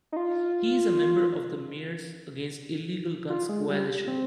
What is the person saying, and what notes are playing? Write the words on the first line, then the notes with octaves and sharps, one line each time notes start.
He is a member of the Mayors Against Illegal Guns Coalition.
D#4
F4
F4
G#3
G3
C4